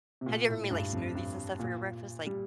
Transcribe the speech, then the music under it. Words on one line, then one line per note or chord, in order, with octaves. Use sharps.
Have you ever made, like, smoothies and stuff for your breakfast, like
C3
A#2
A2
G2
F2
G2
A#2
G3